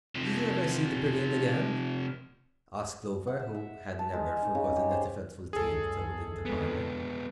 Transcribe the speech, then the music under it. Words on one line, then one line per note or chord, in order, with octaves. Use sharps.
"Did you ever see the Brigand again?" asked Clover, who had never forgotten that eventful tale told in the parlor.
C3 F3
F#5
E5
E5
A5
G#3
D#4
C#3
G4
C5
C#2 F#2 G#4 A4
F2 D3 G#3 B3